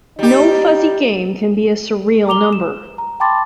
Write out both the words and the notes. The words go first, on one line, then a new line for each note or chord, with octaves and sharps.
No fuzzy game can be a surreal number.
G3 D#4 G4
A#5 D6 F7 G7
E7
A#5
G5 A5 B5 C6 D6 A6